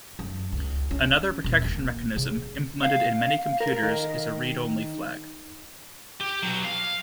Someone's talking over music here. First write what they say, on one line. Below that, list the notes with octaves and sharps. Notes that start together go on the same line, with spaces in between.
Another protection mechanism implemented in many computers is a read-only flag.
F#2
C#2
C#4
D#1
A#3
C#3
F5
A#4
D#3
G4
B1 F#3
F5